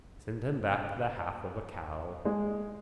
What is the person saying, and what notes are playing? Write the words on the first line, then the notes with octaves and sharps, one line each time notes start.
Send him back the half of a cow.
G#3